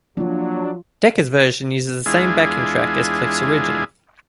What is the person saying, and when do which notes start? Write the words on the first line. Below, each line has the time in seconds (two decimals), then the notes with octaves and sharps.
Dekker's version uses the same backing track as Cliff's original.
0.17 F3 F#3 A#3 D4 F4
2.06 E2 G#3 D4 E4 F4 G#4